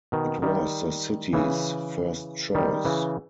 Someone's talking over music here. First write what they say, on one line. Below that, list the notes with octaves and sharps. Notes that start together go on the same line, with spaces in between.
It was the city's first choice.
B2 D#3
D#3 G3
C#3 E3
D#3 G3
C#3 E3